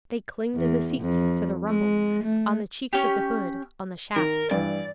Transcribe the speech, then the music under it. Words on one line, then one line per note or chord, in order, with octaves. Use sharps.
They cling to the seats, to the rumble, on the cheeks of the hood, on the shafts.
E2
F2
G#3
A3
C#4 G4
D#3 A#4
G2 E3 D5